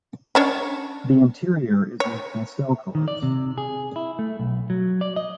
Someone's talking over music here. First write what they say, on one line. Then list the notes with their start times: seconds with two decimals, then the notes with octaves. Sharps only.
The interior is in pastel colours.
0.35 C#4 D4 C#5
2.00 C#5
2.95 D#3
3.08 D5
3.23 C3
3.58 G#4
3.96 E4
4.19 A3
4.40 B1
4.70 F#3
5.01 D5
5.16 D#5